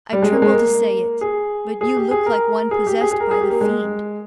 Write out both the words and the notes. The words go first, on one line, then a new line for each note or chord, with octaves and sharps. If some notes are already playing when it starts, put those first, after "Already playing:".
I tremble to say it, but you look like one possessed by the fiend.
G3
G#3
A#3
G#3
A#3
G#4
G#4
G4
G#4
A#4
G#4
G4
G#4
G#4
A#4
G#4
G4
A#3
G#3